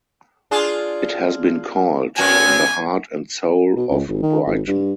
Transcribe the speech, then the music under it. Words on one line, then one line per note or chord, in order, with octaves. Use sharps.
It has been called "the heart and soul of Brighton".
D4 F4 G#4
F#2 B3 F#4 G#5
B2
C#2
G#1
D#3
G#1
G2